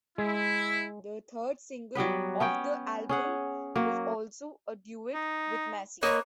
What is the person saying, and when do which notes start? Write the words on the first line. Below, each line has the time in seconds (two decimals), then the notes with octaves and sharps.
The third single off the album was also a duet with Massey.
0.18 G#3 E4
1.95 F#3 G3 B3 B4
2.40 B3 C#4 G5
3.09 C#4 G#4 F#5
3.76 F#3 A#3
5.14 D#4
6.03 A#3 B4 C#5 D#5